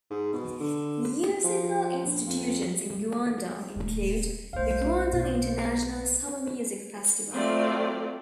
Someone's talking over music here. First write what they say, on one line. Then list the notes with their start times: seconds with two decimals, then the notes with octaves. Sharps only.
Musical institutions in Guangdong include the Guangdong International Summer Music Festival.
0.11 G#2
0.33 B2
0.60 D3
1.44 F3
2.06 A#1
2.26 F2
3.76 D#1 A3
4.53 B1 A3 C5 F5
5.13 B2
7.32 F#3 A3 C4 F4 D5